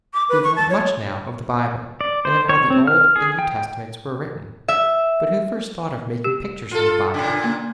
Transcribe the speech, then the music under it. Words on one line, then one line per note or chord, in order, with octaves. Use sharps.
We have learnt much now of the Bible, and of how the Old and New Testaments were written, but who first thought of making pictures from the Bible?
D6
B4
C#6
A5
C#5
D5
C5
C#5
C4
F6
G#4
G5
E5
G4
F4 A4
A#2 C#3
A#3